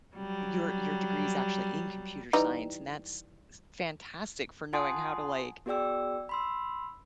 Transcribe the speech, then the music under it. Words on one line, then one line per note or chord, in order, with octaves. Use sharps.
n your your degree's actually in computer science, and that's s fantastic for knowing how to, like,
F#3 G3
E3 G3 D#4
F4 F#5 G#5 A5 C6 D#6
B3 F#4 G#4 D5 G5 E6
B5 C6 E6